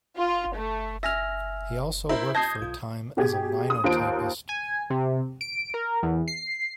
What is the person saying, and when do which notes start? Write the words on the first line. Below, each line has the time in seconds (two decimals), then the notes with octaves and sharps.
He also worked for a time as a linotypist.
0.17 F4
0.55 A3
1.03 E5 G#5 F6 A#6
2.09 E4 A#4 C5 A#5
2.35 A5 D#6 G6 G#6 A#6 C7
2.61 B1 F4
3.17 B2 G4 G#4 G#6
3.70 D#6
3.84 D#2 A#3 F4 C5 D7
4.49 G#5
4.90 C3
5.41 D7
5.74 A#4
6.03 E2
6.28 C7